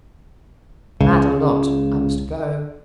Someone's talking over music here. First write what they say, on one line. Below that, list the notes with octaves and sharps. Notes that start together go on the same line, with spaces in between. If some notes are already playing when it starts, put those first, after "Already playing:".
"Mad or not, I must go."
C#2 C#3